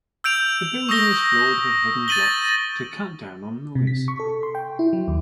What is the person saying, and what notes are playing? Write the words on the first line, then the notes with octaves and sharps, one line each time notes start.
The building is floored with wooden blocks to cut down on noise.
E6 G6 D7 F7
C#6 D#6 E6 A#6 G7
A6 A#6 D#7 F#7 G7
C3
B6
C#6
A4
C6
G5
E4
F#3
D#2